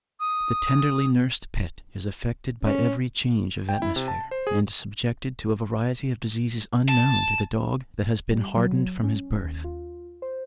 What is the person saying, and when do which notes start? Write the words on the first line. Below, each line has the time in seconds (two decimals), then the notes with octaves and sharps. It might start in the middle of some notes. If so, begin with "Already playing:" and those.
The tenderly-nursed pet is affected by every change of atmosphere, and subjected to a variety of diseases unknown to the dog that has been hardened from his birth.
0.20 D#6
2.63 C#4
3.69 G5
3.82 E4
3.96 C3
4.08 A5
4.31 C5
4.47 G#4
6.89 A5
8.30 G3
8.56 F#3
9.04 C#4
9.43 D#2
9.64 F4
10.22 C5